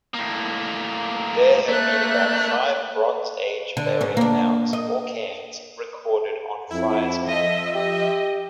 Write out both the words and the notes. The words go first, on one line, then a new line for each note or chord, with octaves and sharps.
There have been five Bronze Age burial mounds, or cairns, recorded on Friars Point.
A2 A#3
A3 A#3 F#6
D3
G#2 C#4
A#3 D4
D#5
F2 E4
F3 D#5 E5
G4 D#5